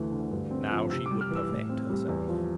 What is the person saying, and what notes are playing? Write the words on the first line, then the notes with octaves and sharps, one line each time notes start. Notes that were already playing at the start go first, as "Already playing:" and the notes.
Now she would perfect herself.
Already playing: D2 E3 A3
D3
G2
C4
F3
C3 E6
G3 D6
F6
E3 E6
A2
C4
G3
E2
F3